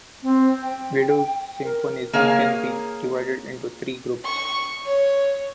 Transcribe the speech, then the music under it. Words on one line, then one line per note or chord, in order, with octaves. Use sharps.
Widor's symphonies can be divided into three groups.
C4
G5
A#4
A#3 G#4 C#5 F5
C#6
C#5